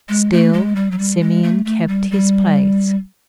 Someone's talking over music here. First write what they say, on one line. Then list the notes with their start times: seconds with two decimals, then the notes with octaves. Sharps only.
Still Simeon kept his place.
0.09 G#3
0.32 A3
0.53 G#3
0.76 G3
0.91 F#3
0.98 G3
1.20 G#3
1.43 A3
1.65 A3
1.88 G3
2.11 G3